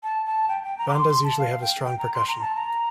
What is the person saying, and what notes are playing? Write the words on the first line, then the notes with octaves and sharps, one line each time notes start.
Bandas usually have a strong percussion.
A5
A5
G5
G5
A#5
D6
C6
C6
A5
F5
G5
G5
A#5
C6
A#5
A5
A#5